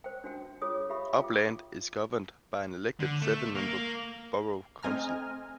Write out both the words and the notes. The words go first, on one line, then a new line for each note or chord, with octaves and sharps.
Upland is governed by an elected seven-member borough council.
C5 G5
D4 F#4 G5
F4 G#4 C#5 D#6
G4 E5 F5 B5
F4 G5 D6
D3
A3
A#3
A3 C4 D#5 G#5 A#5 F6